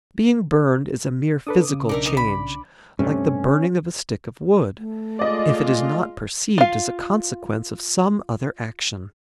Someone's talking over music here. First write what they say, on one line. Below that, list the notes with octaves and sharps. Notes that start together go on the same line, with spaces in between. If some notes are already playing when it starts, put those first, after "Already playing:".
Being burned is a mere physical change, like the burning of a stick of wood, if it is not perceived as a consequence of some other action.
D4 A4 B4 D6 D#6
C#3 C#4
B1 D4 D#4 A#4 E5 D6
D#4 A#4 D#5
B5
G2 C3 A3 C#4
A3
G#3 F4 D5 D#5
F4 F5